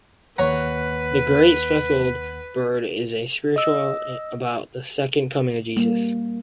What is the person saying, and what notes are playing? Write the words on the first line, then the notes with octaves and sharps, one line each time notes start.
"The Great Speckled Bird" is a spiritual about the Second Coming of Jesus.
D#2 B4 C#5 F#5 A#5
D#5 E6
G3 A#3